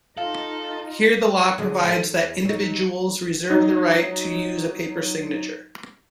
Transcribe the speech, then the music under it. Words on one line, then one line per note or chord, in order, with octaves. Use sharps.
Here the law provides that individuals reserve the right to use a paper signature.
D#4 F4 A4 F5
D3 F#3 G#3
F3 A4
E2
F#3 D#4
F#3 D#4